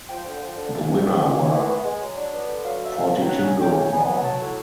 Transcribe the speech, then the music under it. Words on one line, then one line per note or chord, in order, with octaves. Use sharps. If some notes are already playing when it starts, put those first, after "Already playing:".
The winner were Fortitudo Rome.
F3 G5
D3
F3
D3
G#2
G3
E3
G3
E3 C#5
E3
B3
G#3
F#3
D4
B3
D3
F#3 F5
B2 E5
B2 F5
F#3
G5
C#3 F#5
C#4
C#4 G5
C#3
B3 G#5
F#3
F#3 A5
A2